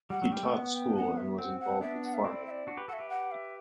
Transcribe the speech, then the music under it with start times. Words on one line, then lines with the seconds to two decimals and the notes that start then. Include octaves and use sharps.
He taught school and was involved with farming.
0.10 G3 F#5
0.22 F#3
0.32 G3 G5
0.43 A3
0.53 B3 F#5
0.75 G5
0.97 F#5
1.17 E5
1.38 C4 F#5
1.60 F#5
1.81 B3 D4 E5
2.03 F#5
2.14 E5
2.24 C4 E4 D5
2.46 E5
2.51 D5
2.67 D4 F#4
2.77 G4 B4
2.88 F#4 A4 F#5
2.93 E5
2.99 G4 B4
3.10 F#5
3.31 E5